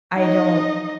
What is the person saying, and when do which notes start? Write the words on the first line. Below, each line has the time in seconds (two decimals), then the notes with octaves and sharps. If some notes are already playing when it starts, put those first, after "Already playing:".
I don't
0.16 D#4 D#5